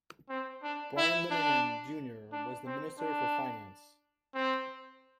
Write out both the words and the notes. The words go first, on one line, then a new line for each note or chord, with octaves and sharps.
Brian Lenihan, Junior was the Minister for Finance.
C4
D4
E4
D4
D4
C4
D4
C4